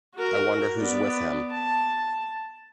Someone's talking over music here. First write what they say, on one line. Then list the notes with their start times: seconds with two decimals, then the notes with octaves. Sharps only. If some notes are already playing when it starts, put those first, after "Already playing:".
I wonder who’s with him.
0.15 F#4 A#4
0.80 B3 D5
1.52 A5